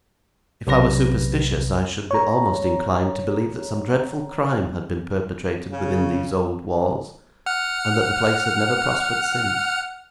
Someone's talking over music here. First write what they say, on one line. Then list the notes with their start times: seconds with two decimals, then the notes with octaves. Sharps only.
If I were superstitious, I should be almost inclined to believe that some dreadful crime had been perpetrated within these old walls, and that the place had never prospered since.
0.67 B1 C3 B4 A#6
2.11 C#5 A#5
5.71 C#3
7.46 F#5 F6